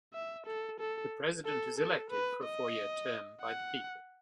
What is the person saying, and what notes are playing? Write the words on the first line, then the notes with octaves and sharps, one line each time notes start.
The president is elected for a four-year term by the people.
E5
A4
A4
A4
A4
B4
D#5
F#5